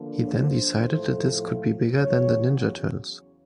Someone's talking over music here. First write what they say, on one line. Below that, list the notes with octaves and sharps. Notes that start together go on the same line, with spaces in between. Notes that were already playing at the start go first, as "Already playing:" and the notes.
He then decided that This could be bigger than the Ninja Turtles.
Already playing: D3 F3 A#3 D4
C5
A2 F3 A3
E2 C#3 F#3 C#5